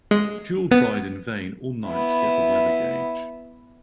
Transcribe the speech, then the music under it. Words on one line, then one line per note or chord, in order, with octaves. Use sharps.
Juel tried in vain all night to get the weather gauge.
G#3
B3
B3 E4